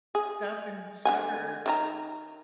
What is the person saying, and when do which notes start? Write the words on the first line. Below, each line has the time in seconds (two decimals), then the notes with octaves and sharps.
stuff and sugar.
0.15 G#4
1.05 D3 F#5 G#5
1.66 D#3 E4 A#5